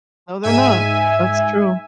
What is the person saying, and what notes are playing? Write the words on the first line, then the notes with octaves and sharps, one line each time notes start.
No, they're not. That's true.
G#2 E5 G#5